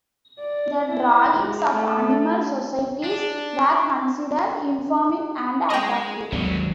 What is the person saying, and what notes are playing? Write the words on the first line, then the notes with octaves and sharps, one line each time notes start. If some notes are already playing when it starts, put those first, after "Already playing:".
The drawings of animal societies were considered "informing and attractive".
D5
E4
G#3
A3
D4
G#3 G#4 D#5 G5
G#1 D#2 D3 F#3 G3